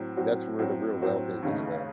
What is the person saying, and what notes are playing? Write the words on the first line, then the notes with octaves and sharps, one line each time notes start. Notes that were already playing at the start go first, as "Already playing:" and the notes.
that's where the real wealth is anyway.
Already playing: A2 F#3 C4 F#4
A2 F#3 C4 F#4
A2 F#3 C4 F#4
A2 F#3 C4 F#4
D#2 C#3 A3 D#4